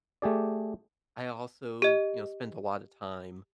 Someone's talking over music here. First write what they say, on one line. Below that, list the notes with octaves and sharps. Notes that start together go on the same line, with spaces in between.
I also, you know, spent a lotta time,
A3 G4 G#4 D5
G4 D#5